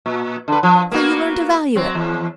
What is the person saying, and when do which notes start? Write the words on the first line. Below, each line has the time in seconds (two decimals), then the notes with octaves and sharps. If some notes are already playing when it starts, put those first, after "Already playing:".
So you learn to value it.
0.06 A#2
0.48 D3 B4
0.63 F3
0.92 A#3 B3 F#4
1.76 F#3 C4
1.95 E2